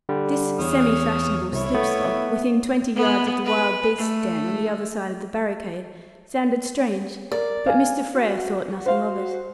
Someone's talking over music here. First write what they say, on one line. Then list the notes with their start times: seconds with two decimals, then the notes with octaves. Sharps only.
This semi-fashionable slip-slop, within twenty yards of the wild beasts' den, on the other side of the barricade, sounded strange; but Mr. Frere thought nothing of it.
0.09 D3 G3
0.59 E2 C#5 D#6 F6
1.52 C2 E4 C#5
1.74 A3 B3
2.96 B3
3.45 B4
3.98 A3
7.32 A#4 D5
7.66 F5 G#5
8.14 F#4
8.86 C5 F5